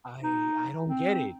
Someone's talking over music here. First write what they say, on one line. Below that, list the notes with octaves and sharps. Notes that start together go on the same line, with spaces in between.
I I don't get it.
D#4
C4